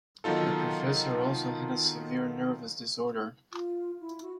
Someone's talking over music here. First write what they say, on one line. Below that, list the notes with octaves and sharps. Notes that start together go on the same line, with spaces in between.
The professor also had a severe nervous disorder.
D#3 F#3 B3 D#4 F4 A4
F4
E4
F#4